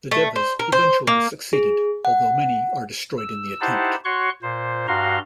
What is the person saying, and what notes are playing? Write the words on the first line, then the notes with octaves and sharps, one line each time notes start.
The Devas eventually succeed, although many are destroyed in the attempt.
A3
C5
A#4
C5
A#3
G#4
F#5
E6
D#4 E4 G4 C5 F#5 A5
F#4 C#5 C6 C#6 F#6
A#2 C5
G2 F#4 F5 A#5 C6